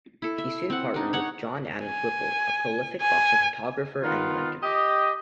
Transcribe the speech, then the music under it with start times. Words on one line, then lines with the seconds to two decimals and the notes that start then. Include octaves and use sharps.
He soon partnered with John Adams Whipple, a prolific Boston photographer and inventor.
0.22 E4 A4
0.38 E5
0.70 C4 F#5
0.94 D4 D#4
1.13 C#5 F#5
1.85 G#5
3.01 G#5
4.02 D#3 B3 F4
4.62 G4 D#5